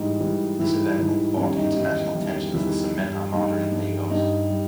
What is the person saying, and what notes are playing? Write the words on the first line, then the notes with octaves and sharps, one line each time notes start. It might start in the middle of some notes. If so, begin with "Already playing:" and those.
This event caught international attention as the cement armada in Lagos.
Already playing: G#2 E3 G3 D#4
G#2 E3 G3
G#2 E3 G3 E4
G#2 E3 G3
E2 D#3 G3 C#4
D#4
E2 D#3 G3 D#4
E2 D#3 G3
E2 D#3 E3 G3 E4
G2 G3
G2 G3 D#4
G2 G3
G2 G3 D#4
G3